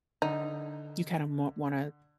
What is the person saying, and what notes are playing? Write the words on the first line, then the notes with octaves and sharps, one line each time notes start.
you kinda mor wanna
D3 D#4